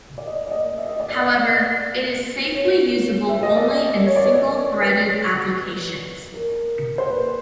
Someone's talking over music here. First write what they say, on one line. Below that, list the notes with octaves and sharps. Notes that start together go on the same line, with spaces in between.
However, it is safely usable only in single-threaded applications.
D5
D#5
D5
D#5
E5
D#5
D5
D#5
C#5
E5
D#5
D5
D5
C#5
D5
C#5
B4
A#4
C5
B4